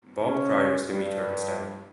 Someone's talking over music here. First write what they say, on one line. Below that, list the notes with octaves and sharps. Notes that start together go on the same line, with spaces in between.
Bob Cryer is to meet her instead.
C#3 C#4
G2